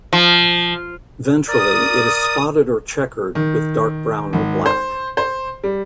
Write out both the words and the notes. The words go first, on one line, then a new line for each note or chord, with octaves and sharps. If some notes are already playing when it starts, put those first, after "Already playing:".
Ventrally, it is spotted or checkered with dark brown or black.
F3
A#4 D5 D#6
D#3
G#1
C5
C5
G3